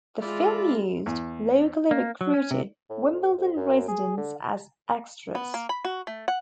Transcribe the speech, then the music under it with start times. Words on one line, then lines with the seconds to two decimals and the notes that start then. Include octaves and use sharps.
The film used locally recruited Wimbledon residents as extras.
0.22 G#3 F4 D5 E5 B5
1.06 E2
1.91 A#3
2.21 F#3
2.34 C#4
2.51 C3
2.90 A2
3.14 F2
3.38 F2
3.56 F#2
3.88 G#4
4.17 D3
5.35 B3
5.54 A#3
5.69 B5
5.85 F#4
6.07 A3
6.28 F#5